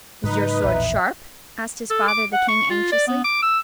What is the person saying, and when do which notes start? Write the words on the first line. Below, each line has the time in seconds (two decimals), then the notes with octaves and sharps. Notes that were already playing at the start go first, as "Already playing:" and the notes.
"Is your sword sharp?" asked his father, the King, anxiously.
0.23 G#2 C#3 F#3 D#4 B4
0.64 A#1 E2 A2 E5
1.91 A4
2.08 D6
2.33 F#5
2.48 C#6
2.71 F4
2.92 D5
3.08 B3
3.25 D6
3.42 E6